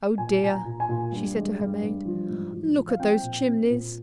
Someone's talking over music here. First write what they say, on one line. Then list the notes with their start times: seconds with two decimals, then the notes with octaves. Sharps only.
'Oh dear!' she said to her maid; 'look at those chimneys!
0.18 A#2 G#5
0.41 A#2 G#5
0.50 A#5
0.65 A#2
0.80 G#5
0.89 A#2
1.12 G2
1.35 G#3
1.59 G2
1.82 G2
2.05 F3
2.29 G#2
2.53 F3
2.76 F3
2.89 F5
3.00 C4 G5
3.23 A#2
3.47 C4
3.70 A#2